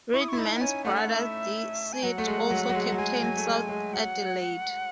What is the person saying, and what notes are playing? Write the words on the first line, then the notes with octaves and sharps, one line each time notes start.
Reedman's brother Sid also captained South Adelaide.
E4 C#6
D#6
E4 C#6
D#4 B5
F#5
C#4 G#5
A3 F#5
F#5
E5
G#5
F#3 F#5
A3
G#3
F#3
F#3
G#3
F#3
G#3 G#5
F#3
A3
G#3
G#3
F#3 F#5